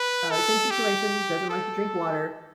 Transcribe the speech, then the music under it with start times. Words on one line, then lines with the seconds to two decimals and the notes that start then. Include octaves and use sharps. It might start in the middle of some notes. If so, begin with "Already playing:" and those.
uh, same situation, doesn't like to drink water.
Already playing: B4
0.31 A4
0.71 G4
1.50 A4